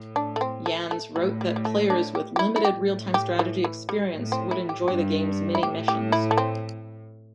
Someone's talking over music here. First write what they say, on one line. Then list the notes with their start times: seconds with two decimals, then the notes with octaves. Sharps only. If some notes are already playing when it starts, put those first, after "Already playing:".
Yans wrote that players with limited real-time strategy experience would enjoy the game's mini-missions.
Already playing: A2
0.16 D4
0.36 A3
0.41 C4
0.66 A3
0.91 A3
1.15 A2 G3
1.41 G3
1.56 G3
1.65 A3
1.90 D4
2.15 G4
2.36 G4
2.39 E4
2.56 E4
2.64 A2 G4
3.14 G4
3.39 E3
3.64 E3
3.89 G3
4.14 A2
4.32 C4
4.51 E4
4.69 G4
4.88 G2 G4
5.55 E4
5.63 A2 G4
5.88 G4
6.12 E4
6.31 A3
6.38 C4